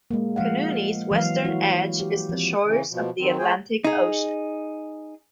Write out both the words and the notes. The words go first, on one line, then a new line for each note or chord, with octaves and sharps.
Kunene's western edge is the shores of the Atlantic Ocean.
G#3 A#3
F3 G#3 F5 F#5
E3 F#3 F5
E4 F#4
G4
F3 C4
C#3 E3
B2 F3
D#3 F#3 C4
A3 F4 G#4 C5 G5 G#5
D#4 G#4